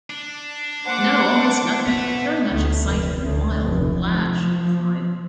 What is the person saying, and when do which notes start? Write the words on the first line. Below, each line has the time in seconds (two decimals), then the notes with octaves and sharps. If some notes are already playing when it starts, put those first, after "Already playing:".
'No, almost nothing — very much excited, and wild, and glad!’ she replied.
0.10 D4
0.85 A#3 C5 F#5 D6
1.87 A3 B3 B6
2.51 D2
2.84 F1
3.24 D2
3.63 F1
4.08 F3